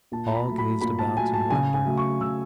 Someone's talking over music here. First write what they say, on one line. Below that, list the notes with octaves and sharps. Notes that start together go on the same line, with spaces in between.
All gazed about in wonder.
A#2 A5
A#5
B5
F#3 A3
B5
A#2 B5
A5
F#3 A3 G#5
A5
C#3 G#5
G#5
F#3 A3
C#6
C#3 E6